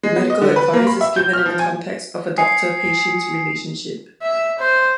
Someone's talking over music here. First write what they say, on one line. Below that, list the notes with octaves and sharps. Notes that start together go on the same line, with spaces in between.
Medical advice is given in the context of a doctor-patient relationship.
G#3
B3
D#5
D3
B4
A#3
B5
E5
G6
F6
F3
G#5
G#5 D#6 C7 C#7
E5
C5